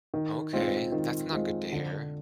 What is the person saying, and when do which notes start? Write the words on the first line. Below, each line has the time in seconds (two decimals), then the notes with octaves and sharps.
Okay, that's not good to hear.
0.14 D#3
0.53 G#3 C4 F4
0.92 D#3
1.32 G#3 C4 F4
1.72 D3